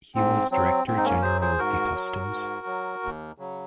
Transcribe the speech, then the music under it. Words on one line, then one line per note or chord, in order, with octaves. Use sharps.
He was Director general of the customs.
G#2 C4
F#3 C4
G#2 C4
D#4
A#3 C#4
F#3 G#4 C5
G#4 C5
G#2 F#4 A#4
F#3
G#2
F#3
D#2
C#3 F#3